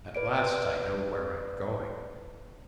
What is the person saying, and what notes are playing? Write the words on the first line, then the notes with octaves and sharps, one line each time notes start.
At last I know where I'm going.
B4 D5 D7